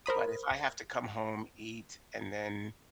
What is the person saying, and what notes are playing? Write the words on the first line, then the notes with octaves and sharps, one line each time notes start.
But if I have to come home, eat, and then
A#4 C5 B5 D#6